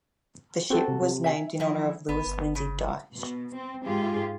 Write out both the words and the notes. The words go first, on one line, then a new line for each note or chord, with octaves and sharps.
The ship was named in honor of Lewis Lindsay Dyche.
C4 F#4 A4
C3
C3
E5 G#5
E3 F3 D#4 E4
G#1 B3
G1
C#3
B2
C4
G#2 F4 G4 G#4